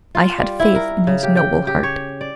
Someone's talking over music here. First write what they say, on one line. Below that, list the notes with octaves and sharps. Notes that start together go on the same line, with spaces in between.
"I had faith in his noble heart."
F4
G3
E4
A#4
C#3
G4
G5
G4
C#5
D5